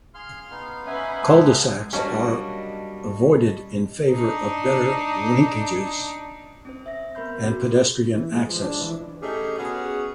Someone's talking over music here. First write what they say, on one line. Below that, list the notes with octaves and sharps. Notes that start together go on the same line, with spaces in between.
Cul-de-sacs were avoided in favour of better linkages and pedestrian access.
G#4 F5 C6 F6
B3 D#4 F5
C#4 B4 E5 F#5 G#5
G#3 A5 C6 F#6
F#3 G3 A#3 C#4 D4 D#5 A5 C#6
D4 D#4
C4 C#4 C5
E5 A#6
B3 A#4 B5 C6 G6
F#4 G#4
E3
G#3
F3
D4
E3
A3 C#4 D#4 G4 G#4
B3 C#4 F#4 G#4